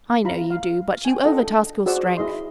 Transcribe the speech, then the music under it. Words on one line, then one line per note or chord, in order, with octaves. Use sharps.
'I know you do, but you overtask your strength.
E4 F4 F5 A#5 B5
F5
G5 G#5
D4 F4 A4 D#5 F#5 G5
F#4 G#4 C5 D5 F#5 E6
E4 G#4 D#5 C6